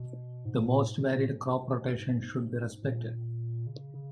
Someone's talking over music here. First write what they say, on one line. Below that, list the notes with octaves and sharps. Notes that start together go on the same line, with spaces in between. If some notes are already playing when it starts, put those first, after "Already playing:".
The most varied crop rotation should be respected.
Already playing: B2
G#2
A#2
G#2
B2
A#2
G#2
G#2
A#2
A#2
C#3
C#3